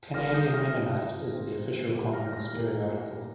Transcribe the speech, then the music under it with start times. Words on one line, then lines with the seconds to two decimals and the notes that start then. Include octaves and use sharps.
"Canadian Mennonite" is the official conference periodical.
0.14 G3 D#4 A#4 F6 A#6
0.26 A#6
0.34 D#6 G6
0.54 F6 A#6
0.74 F3 C4 D#4 G4
1.34 D#3 C4 F4
1.93 A#2 G3 D#4 G4 A#4
2.13 F6 A#6
2.33 F6 A#6
2.53 A#2 F3 A#3 G4 A#4